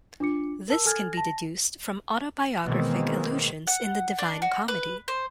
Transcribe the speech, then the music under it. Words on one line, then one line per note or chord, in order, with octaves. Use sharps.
This can be deduced from autobiographic allusions in the Divine Comedy.
D4 F4 D6 C#7
A#4 A5 E6
A4 G#5 F6 G#6 A6
A5 A#6
B2 D#3 E3 G#3 A#3 C4
F#5
D4
F#4
B4
C5